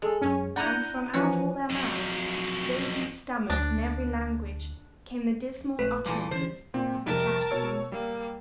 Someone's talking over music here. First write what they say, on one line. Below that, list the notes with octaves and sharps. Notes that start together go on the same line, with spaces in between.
And from out all their mouths, vaguely stammered in every language, came the dismal utterances of the catacombs.
G#3 A4
F#2 C#4
D4 E4 F#5 A#5 G6 D#7
E3 F3 C#4 F#4
F2 F#3
D2 D4
A#1 A3 B4
A#2 E3 G3 A4
D3 E3 C#4 C5
A#2 C4
F2 C3 G3 A#4 A5
B2 C#5 E6
G3 A#3